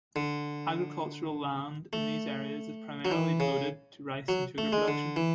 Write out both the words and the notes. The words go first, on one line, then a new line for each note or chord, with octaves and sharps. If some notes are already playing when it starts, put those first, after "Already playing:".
Agricultural land in these areas is primarily devoted to rice and sugar production.
D3
A3
F#3
E3
C#3
F#3
A3
G#3
D3
E3